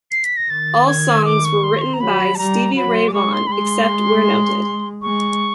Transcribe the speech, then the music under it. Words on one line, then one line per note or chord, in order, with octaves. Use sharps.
All songs were written by Stevie Ray Vaughan except where noted.
C7
B6
A#6
D#3 A6
G#6
D6
C#6
C6
C#6
C6
A#5
F#3 B5
A5
G3 A#5
F#3 B5
C6
D6
G#3 C#6
C6
B5
G#3 C6
G#3 C#6